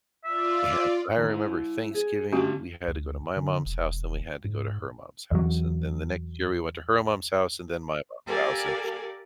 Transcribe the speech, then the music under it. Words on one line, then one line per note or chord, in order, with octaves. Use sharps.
and I remember Thanksgiving, we had to go to my mom's house, then we had to go to her mom's house, and then the next year we went to her mom's house and then my mom's house, and,
F4 D5 E5
F2 D#3
E4 C5
G#4
D3 A3 C#4 F#4 G4 F5
D2
D3
E1
G#2
E2 F#3
G4 A4 A#4 D5 F5 G#5